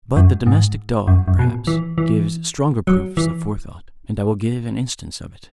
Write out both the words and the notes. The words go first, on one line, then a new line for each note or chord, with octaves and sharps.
But the domestic dog, perhaps, gives stronger proofs of forethought; and I will give an instance of it.
F#2
G#2
F#2
F#2
B2
A#2
E3
E3
F#3
E3